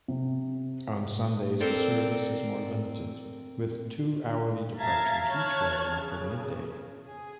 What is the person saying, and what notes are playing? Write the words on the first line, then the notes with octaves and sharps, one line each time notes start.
On Sundays the service is more limited, with two-hourly departures each way after midday.
C3
C4 A4 A#4 D5
E5 F5 A5 A#5 G#6 A6
C#5 A5 F6 F#6 G#6
C#3
G#4